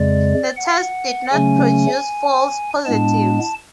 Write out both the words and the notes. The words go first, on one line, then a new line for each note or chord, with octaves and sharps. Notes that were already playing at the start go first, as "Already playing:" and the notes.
The test did not produce false positives.
Already playing: F2 C#3 G#3 D5
F#5
C#3 F#3 A3 C#4 G#5
A2 G#3 B3 D4 A5